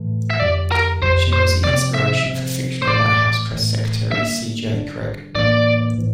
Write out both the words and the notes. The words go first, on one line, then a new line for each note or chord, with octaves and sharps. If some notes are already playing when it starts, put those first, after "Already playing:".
She was the inspiration for fictional White House Press Secretary C. J. Cregg.
Already playing: A2 E3 A3
E5
F2 D3 G3 D5
A#4
F2 D3 G3 C5
C5
C3 F3 C4 D5
E5
C3 F3 C4
C5
A2 E3 A3 D5
A2 E3 A3
D3 G3 A#3 D4 E5
D3 G3 A#3 D4
A2 E3 A#3 D4 D5
A2 E3